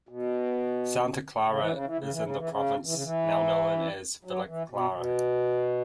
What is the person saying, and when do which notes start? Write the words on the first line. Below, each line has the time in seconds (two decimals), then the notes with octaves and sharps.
Santa Clara is in the province now known as Villa Clara.
0.09 B2
1.48 C#3
1.59 E3
1.73 C#3
1.85 E3
1.98 C#3
2.11 E3
2.23 C#3
2.36 E3
2.50 C#3
2.85 E3
2.94 C#3
3.03 E3
4.25 F#3
4.47 E3
4.70 B2
4.93 B2